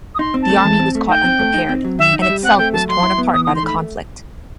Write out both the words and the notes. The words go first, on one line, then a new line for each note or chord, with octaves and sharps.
The Army was caught unprepared, and itself was torn apart by the conflict.
D#6
D#4 C6
C4
A5
A3
E3
C4
A3
D#4 G5
C4
A3
D#4
C4
F#3
D#3 E5
D#4
E5
G3
C4 F#5
A3 G5
F#3 A5
F#3 C6
E4
B3
E3 D#6
D#4 D#6
C6
A3 B5